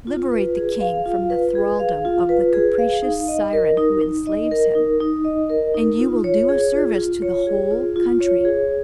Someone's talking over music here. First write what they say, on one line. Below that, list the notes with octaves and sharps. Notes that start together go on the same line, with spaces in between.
Liberate the king from the thraldom of the capricious siren who enslaves him, and you will do a service to the whole country.
F4
B4
G#4
F5
F4
B4
G#4
F5
F4
B4
G#4
F5
D#4
D#5
A#4
D#4
D#4
D#5
A#4
D#4
D#4
D#5
A#4
D#4
F4
C#5
G#4
F4
F4
C#5
G#4
F4
F4
C#5
G#4